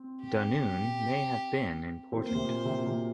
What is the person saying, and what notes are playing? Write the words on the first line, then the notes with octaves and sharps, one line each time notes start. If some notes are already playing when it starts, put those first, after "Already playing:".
Dunoon may have been important.
Already playing: C4
G4
C4
A#3 C5
C3
A#2
C3
A#2
C3